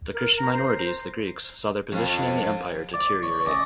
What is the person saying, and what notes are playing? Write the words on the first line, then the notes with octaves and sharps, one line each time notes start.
The Christian minorities, the Greeks, saw their position in the Empire deteriorate.
A#4
A#5
C5
C5
F2
D5
C#5
C#4 D5 D#5